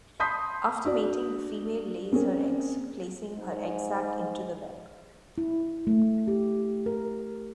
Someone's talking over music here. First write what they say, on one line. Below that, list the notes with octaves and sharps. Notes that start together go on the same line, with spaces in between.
After mating, the female lays her eggs, placing her egg sac into the web.
A5 B5 C6 D#6 G6 B6
D4 F#4 D5
A#3 C4 C#4 G#4 A#4
G#2
E4
A3
G4
A#4